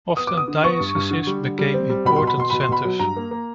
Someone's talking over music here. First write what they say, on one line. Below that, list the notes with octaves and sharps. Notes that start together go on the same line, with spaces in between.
Often dioceses became important centres.
B3 D#6
B3 D6
D#6
D3
B3 C#6
G2
G2
D3
G3
D3
G3
C4
G3
B2 B5
C6
B2
B5
B2 C6
B2 B5
C6
B2 B5
F#3
G2 A#5
A#3
A#3